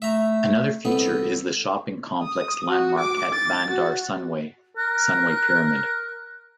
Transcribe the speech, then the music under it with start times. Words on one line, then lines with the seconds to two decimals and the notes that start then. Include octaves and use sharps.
Another feature is the shopping complex landmark at Bandar Sunway, Sunway Pyramid.
0.02 A3 E5 A#5
0.85 C2 B3 A4
2.23 D#6
2.69 F#4
2.99 D6
3.33 A6
3.71 F#4
4.77 A#4 F#6